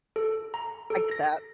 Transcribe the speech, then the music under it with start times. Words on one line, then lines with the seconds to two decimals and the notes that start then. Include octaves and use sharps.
I get that.
0.16 A4
0.54 A#5
0.90 A4
1.11 A#6